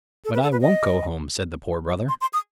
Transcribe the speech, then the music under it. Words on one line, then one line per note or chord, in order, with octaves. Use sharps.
"But I won't go home," said the Poor Brother.
A4
B4
A4
B4
D#5
C6
C6
D#6